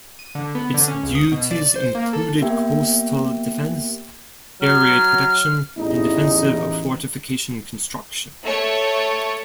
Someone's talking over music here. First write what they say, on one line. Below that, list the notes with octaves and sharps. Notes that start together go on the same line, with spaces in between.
Its duties included coastal defense, air raid protection and defensive fortification construction.
D#7
D3
B3
D3
C#4
C#2
D#6
B2
D5
C5
A#3
A4
A#3 B3 G4 A#4 E5 G5
F#3 F6
A1 E2 D#4
A3 C#5